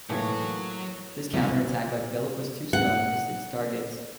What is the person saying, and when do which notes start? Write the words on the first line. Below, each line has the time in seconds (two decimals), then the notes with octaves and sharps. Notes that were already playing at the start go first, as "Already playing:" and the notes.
This counter attack by Philip was too slow and missed its targets.
0.10 A2 E3 F#3 A#3 C#5
1.34 C2 C#4 E4
2.73 F#5